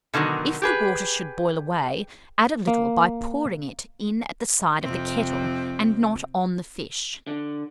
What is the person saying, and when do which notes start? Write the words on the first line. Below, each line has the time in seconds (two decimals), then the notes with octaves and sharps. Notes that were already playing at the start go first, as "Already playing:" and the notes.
If the water should boil away, add a little by pouring it in at the side of the kettle, and not on the fish.
0.14 B2 D3 D#3 F#3
0.62 G4 G#4 B4
2.67 A#3
4.82 F2 C3 C4
7.27 D3